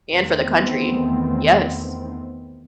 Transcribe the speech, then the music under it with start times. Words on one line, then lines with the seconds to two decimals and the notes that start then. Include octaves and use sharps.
and for the country, yes.
0.11 E2 D#3 A3 B3 C4